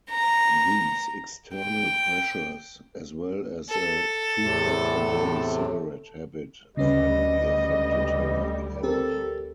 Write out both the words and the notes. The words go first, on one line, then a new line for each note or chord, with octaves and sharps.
These external pressures, as well as a two-pack-a-day cigarette habit, finally affected her health.
A#5
G5
A4
E2 A2 C3
D2 C#3 G3 C#4 B4 D#5
C4 G4 A4 A#4